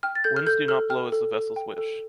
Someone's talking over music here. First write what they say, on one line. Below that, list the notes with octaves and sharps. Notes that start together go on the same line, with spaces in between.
Winds do not blow as the vessels wish.
G5 F6
A6
A4 G6
F6
A4 G6
A4 F6
G5 F6
A4
A4
G5
A4